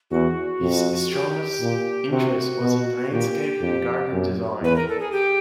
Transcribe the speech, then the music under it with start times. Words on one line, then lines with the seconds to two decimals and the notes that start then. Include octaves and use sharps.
His strongest interest was in landscape and garden design.
0.11 E2 F#4
0.61 F2
1.11 G4
1.61 A#2
2.11 C3 F#4
2.61 B2
3.11 A#2 G4
3.61 F2
4.12 F#2
4.61 E2 B4
4.76 A#4
4.88 A4
5.00 G#4
5.12 G4